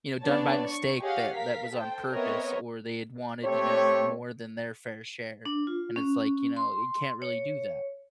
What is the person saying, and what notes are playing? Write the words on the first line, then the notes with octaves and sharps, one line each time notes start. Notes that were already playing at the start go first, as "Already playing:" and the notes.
you know, done by mistake that that was on purpose or they had wanted, you know, more than their fair share, and it's, like, you know, you can't really do that,
B3 D4 C#5 D5 A5
C#6
G4 G#4 C#5 D#5 F5 F#5
A#4 F5 B6
A4 C5 G5
B3 C4 A#4 C#5 D#5 E5
A3 C4 G4 C#5
D4
F4
C#4
C6
C#5